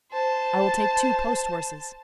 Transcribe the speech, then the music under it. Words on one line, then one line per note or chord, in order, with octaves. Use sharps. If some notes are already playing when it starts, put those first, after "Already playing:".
"I will take two post-horses."
C5 A5